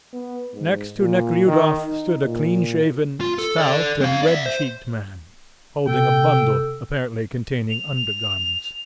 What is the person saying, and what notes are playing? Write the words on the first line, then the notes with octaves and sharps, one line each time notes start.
Next to Nekhludoff stood a clean-shaven, stout, and red-cheeked man, holding a bundle, apparently containing under-garments.
B3
G#2
A#2
D#3
D#4
A#2
F4
A4
A4 D5
C4 F5
D5 E5
C5
C3 A4 G5
F7